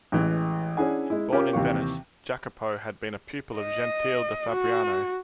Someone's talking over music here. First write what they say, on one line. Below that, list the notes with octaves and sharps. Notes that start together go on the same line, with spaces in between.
Born in Venice, Jacopo had been a pupil of Gentile da Fabriano.
A1 E3 G#3
C#4 D4 E4 G#4 F#5 G#5
G#3 E4
C#4 F4 G4 A#4
D#2 C3 E3 F5 C#6
D#5
F#4